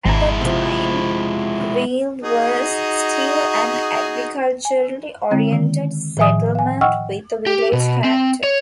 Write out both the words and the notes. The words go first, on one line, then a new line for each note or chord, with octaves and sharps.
At that time, Wiehl was still an agriculturally oriented settlement with a village character.
G#1 G#3 E4 A5 A#5
C3 F3
D#4 F#4 G#4
G#5
D3 G#3 C4 E4
D3 D#3
A2 D#3 F3 E5 G#5 D#6
F5 G#5
D#5 F#5 G5 C#6 E6 F6
G4
B2
C4
C#5